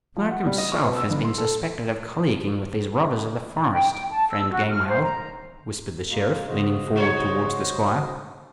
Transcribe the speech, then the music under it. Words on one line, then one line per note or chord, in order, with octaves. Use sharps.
"The clerk himself has been suspected of colleaguing with these robbers of the forest, friend Gamewell," whispered the Sheriff, leaning forward towards the Squire.
F3
F#5
G3
D#5
C#6
B2
E6
G1
C6
A4
G5
G5
A5
E6
F#4
F6
C5
A#5
G#3 A#3
C#3 F#4 C5 D#5
G#3 D#4 C#5